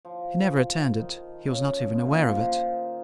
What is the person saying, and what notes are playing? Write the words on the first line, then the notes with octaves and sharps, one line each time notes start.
He never returned it--he was not even aware of it.
F3
D#3
C#3
A#2
D#3
F3
F3
D#3